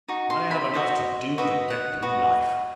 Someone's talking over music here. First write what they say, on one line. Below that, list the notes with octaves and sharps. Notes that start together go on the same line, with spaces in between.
I have enough to do to get through life.
D#4 F#4
C6
B5
F#4 A4 C5 D#5 E5
F#4 B4 D#5 E5
F#5
F#4 B4 D#5